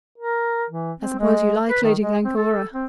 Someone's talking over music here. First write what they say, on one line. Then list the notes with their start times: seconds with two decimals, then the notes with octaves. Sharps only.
"I suppose you like Lady Glencora?"
0.18 A#4
0.70 E3
1.00 C4
1.19 G#3
1.69 B4
1.83 D#3
2.00 G#3
2.25 C4
2.37 A4
2.73 C4